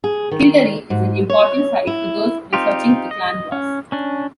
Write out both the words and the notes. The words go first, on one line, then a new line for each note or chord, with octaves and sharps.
Kildary is an important site for those researching the Clan Ross.
G#4
D#3
G#2
C#5
E4
C4 D#4 F4 G4
D#5
C#4
C#4 D4